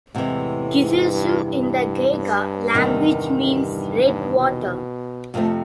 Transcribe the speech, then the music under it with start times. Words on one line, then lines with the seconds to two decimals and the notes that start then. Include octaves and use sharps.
"Kizilsu" in the Kyrgyz language means "red water".
0.14 E2 A2 C3 E3 G#3
0.79 G#2
1.12 G2
1.45 G2
2.09 G2
2.74 E2 C3 D#3 G3
3.39 G2
4.04 G2
4.36 B2
5.34 F2 C3 F3 A3 C4